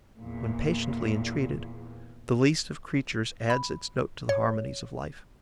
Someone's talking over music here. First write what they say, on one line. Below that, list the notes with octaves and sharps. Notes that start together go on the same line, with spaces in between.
When patiently entreated, the least of creatures adds its note to the harmonies of life.
E2 A#2
B5
C#5